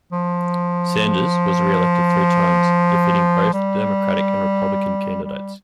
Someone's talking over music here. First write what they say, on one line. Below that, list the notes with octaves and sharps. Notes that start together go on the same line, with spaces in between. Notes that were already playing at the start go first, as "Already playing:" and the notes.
Sanders was reelected three times, defeating both Democratic and Republican candidates.
F3
G3
G3